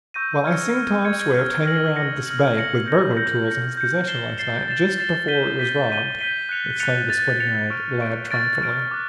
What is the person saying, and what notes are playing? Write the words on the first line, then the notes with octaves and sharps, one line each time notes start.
"Well, I seen Tom Swift hanging around this bank with burglar tools in his possession last night, just before it was robbed," exclaimed the squint-eyed lad triumphantly.
C#6 E6 G6 A#6 D#7
F6 G#6 C#7
F6 G#6 C#7
F6 G#6 C#7
F6 G#6 C#7
F6 A#6 C#7 F#7
F6 A#6 C#7 F#7
F6 A#6 C#7 F#7
F6 A#6 C#7 F#7
G6 A#6 C#7
G6 A#6 C#7
G6 A#6 C#7
G6 A#6 C#7
A6 C7 E7 G7
A6 C7 E7 G7
A6 C7 E7 G7
A6 C7 E7 G7
G6 B6 D#7 G7
G6 B6 D#7 G7
G6 B6 D#7 G7
G6 B6 D#7 G7
F#6 A6 C#7 F7
F#6 A6 C#7 F7
F#6 A6 C#7 F7
F#6 A6 C#7 F7
C#6 F6 A6 D7
C#6 F6 A6 D7
C#6 F6 A6 D7
C#6 F6 A6 D7
D6 F#6